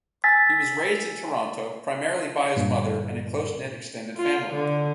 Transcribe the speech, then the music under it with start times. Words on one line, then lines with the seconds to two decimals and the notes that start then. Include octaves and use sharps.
He was raised in Toronto, primarily by his mother and a close-knit extended family.
0.24 G#5 E6 A6 B6
2.56 D2 G2 A#2
4.17 F4
4.53 D3